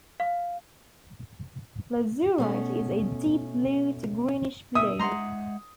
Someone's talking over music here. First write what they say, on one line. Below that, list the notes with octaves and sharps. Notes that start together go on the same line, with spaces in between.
Lazurite is a deep blue to greenish blue.
F5
B2 A3 C#4
B2 D3 E5 D#6
G#3 E5 F#5 A#5 C6